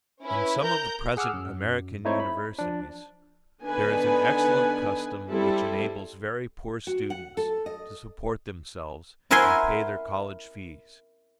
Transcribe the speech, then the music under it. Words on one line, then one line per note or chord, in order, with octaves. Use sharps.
In some of the present American universities there is an excellent custom which enables very poor students to support themselves and pay their college fees.
C#4 E4 B4
A#4 A#5 G6
G#4 F#5 D6 E6 F6
F#2
A3 C4 D#4 E4 C5 C#5
B5
F3 D4
D3 B3 D4 D#4 B4 G#5
G3 C4 E4 A4
F#4
F#5
A4
D#5
E4 A#4 E5 F#5 G#5 C6